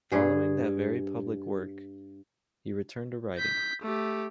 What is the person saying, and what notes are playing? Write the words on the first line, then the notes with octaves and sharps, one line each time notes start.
Following that very public work, he returned to writing.
G2 G#4
G6 B6
A3 G4